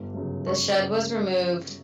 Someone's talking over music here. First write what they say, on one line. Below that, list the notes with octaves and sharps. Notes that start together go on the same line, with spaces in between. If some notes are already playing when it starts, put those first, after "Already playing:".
The shed was removed.
Already playing: G1
F#2 C#3
G1 C#6
C#3